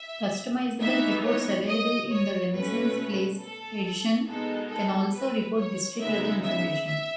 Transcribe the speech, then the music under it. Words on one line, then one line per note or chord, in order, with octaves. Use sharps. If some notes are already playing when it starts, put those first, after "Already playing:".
Customizable reports available in the Renaissance Place edition can also report district-level information.
Already playing: E5
E3 B3 D#4 E5
C#5
D#5
C#5
B2 A3 C#4 B4
A4
B2 G#3 B3 D#4 A4
A4
B4
C#5
C#3 G#3 B3 D#4 E5
E5
E5